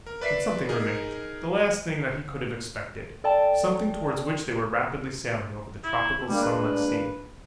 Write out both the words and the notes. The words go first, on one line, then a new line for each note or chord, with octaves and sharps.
But something remained--the last thing that he could have expected--something towards which they were rapidly sailing over the tropical, sunlit sea.
A#4
B4 D5 E5 B6 C7
D#4 G#4 A#4
A4 D5 G5 A5
E4
G3 G#3 A#3 D4
B4